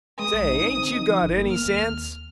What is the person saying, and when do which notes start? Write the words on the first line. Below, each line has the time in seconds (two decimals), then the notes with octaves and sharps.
"Say, ain't you got ANY sense?"
0.19 G#3 D#6
0.33 A#1
0.49 D#4
0.64 C4
0.78 D3
0.93 D#4
1.07 F3
1.22 G1
1.37 A#3
1.51 A#3 F6
1.66 D#2